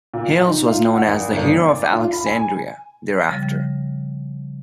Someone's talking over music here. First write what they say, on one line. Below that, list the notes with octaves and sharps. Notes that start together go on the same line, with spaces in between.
Hales was known as the "Hero of Alexandria" thereafter.
A#2
D#4
F4
F#5
G#1
G1
G#1
D5
F4
B5
G#5
C#3 F3 G3 A#6